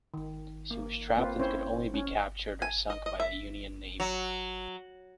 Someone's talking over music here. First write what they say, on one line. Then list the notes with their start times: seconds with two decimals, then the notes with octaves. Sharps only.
She was trapped and could only be captured or sunk by the Union Navy.
0.14 D#3
0.71 A#3
1.17 A#3 C4 F4 B4
1.40 C4 C#4 E4 C5 C#5
1.94 C#4
2.62 G#5
2.90 D#5
3.06 D#5
3.20 E5
4.00 F#3